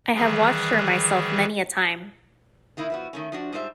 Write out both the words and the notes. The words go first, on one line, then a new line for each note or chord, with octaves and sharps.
I have watched her myself many a time.
D#3 E3 G3 G#4 B4 E5
D#3 A#3 D#4 E4
F3 B3 F#4
D#3 A3 C#4
F3 D4 F#4
G#2 G3 F4 C5 E5